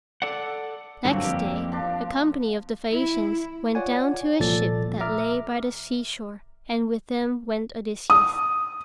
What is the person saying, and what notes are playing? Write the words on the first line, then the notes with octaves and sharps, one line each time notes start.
Next day a company of the Phaeacians went down to a ship that lay by the seashore, and with them went Odysseus.
A4 D5 F#5
G2 A#2 D3 F#3 C4
F2 A#3 G4
F3 D4
E4
F4 C#5 D5 F#5 G#5
C2 A#2 F3 A4 D5 A6
E5 A#5 D6 F6
D#6